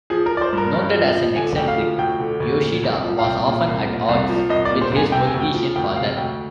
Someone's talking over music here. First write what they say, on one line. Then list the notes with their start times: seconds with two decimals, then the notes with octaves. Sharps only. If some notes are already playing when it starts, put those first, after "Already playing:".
Noted as an eccentric, Yoshida was often at odds with his politician father.
0.10 F3 G#4
0.26 A#4
0.31 F3
0.37 D5
0.41 C5
0.53 G2 A#4
0.73 G2
0.94 F3
1.15 F3
1.36 D3 G#5
1.56 D2 G5
1.68 F5
1.77 F3
1.98 D2 G5
2.20 D3
2.40 D2
2.62 A#2
2.83 C2
3.03 F3
3.19 F5
3.24 C2 G5
3.46 A#2
3.67 C2
3.87 A#2
4.09 C2
4.29 F3
4.49 C2 D#5
4.65 D5
4.71 A#2
4.82 C5
4.92 C2
4.97 G#5
5.12 C3 G5
5.27 G#5
5.34 D2
5.40 G5
5.54 F3
5.76 D2 G5
5.96 C3 F5
6.17 D2 G5